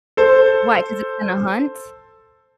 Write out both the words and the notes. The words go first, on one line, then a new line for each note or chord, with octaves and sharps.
Why, 'cause it's gonna hunt?
A4 C5